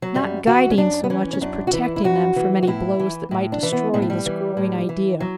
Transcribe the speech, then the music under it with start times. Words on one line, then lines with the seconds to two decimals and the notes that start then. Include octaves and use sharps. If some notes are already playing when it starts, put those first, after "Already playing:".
Not guiding so much as protecting them from any blows that might destroy this growing idea.
0.02 F#3
0.15 F#2 G3
0.47 E3 F#4
0.71 C#4
0.78 F#2 D4
1.04 B3
1.10 E3 C#4
1.33 C#4
1.41 F#2 D4
1.67 F#4
1.73 E3 E4
1.96 E4
2.04 F#2 F#4
2.36 E3
2.63 F#4
2.67 A2 E4
2.99 E3
3.31 A2
3.52 D4
3.63 E3
3.72 B3
3.94 A2 G3
4.02 A3
4.10 G3
4.26 E3
4.57 A2
4.89 E3
5.20 F#3